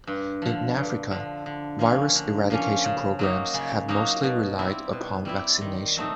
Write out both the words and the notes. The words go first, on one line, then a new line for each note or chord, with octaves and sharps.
In Africa, virus eradication programs have mostly relied upon vaccination.
G2
D3 F3
G2
D3 F3
D3
F3 A#3 C#4
D3
F3 A#3 C#4
C#3
F#3 A#3 D#4
C#3
F#3 A#3 D#4
B2
G3 C4 E4
B2
G3 C4 E4
D#3
F#3 A3 C4 D#4